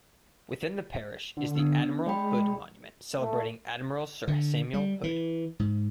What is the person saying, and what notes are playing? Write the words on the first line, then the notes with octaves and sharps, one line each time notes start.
Within the parish is the Admiral Hood Monument celebrating Admiral Sir Samuel Hood.
D3
B3 D4
G#3 D5 G5 B5
A3
D3
G3
E3
G#2